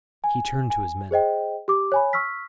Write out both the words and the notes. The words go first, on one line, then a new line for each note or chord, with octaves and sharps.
He turned to his men.
G#5
G#5
G#4 C5 D#5 G5
G4 D6
C#5 G#5 B5
C#6 E6 F6 B6